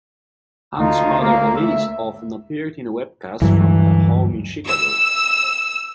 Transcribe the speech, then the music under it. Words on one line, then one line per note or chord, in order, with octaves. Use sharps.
Hunt's mother Alice often appeared in webcasts from her home in Chicago.
D2 D#4 F4
A#3
E5
D2 G2 E3 F#3
E6